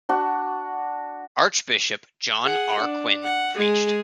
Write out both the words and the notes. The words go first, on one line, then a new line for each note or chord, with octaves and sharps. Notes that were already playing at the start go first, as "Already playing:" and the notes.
Archbishop John R. Quinn preached.
D4 F#4
G#4 F#5
D4
F#5
G#3 G#4